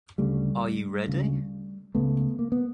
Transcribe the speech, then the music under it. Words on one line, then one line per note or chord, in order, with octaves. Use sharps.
Are you ready?
D2 C#3 G3 A3
D2 C#3
C#2 C#3 A3 B3
A#3
B3